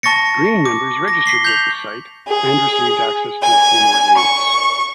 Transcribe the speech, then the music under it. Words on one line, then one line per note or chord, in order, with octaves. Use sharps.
Green members registered with the site and received access to a few more games.
A5 C#6 A6 A#6 C#7
D6
A#6
B6 C7 G7
G6 F7 F#7
G#4
G#5
C#6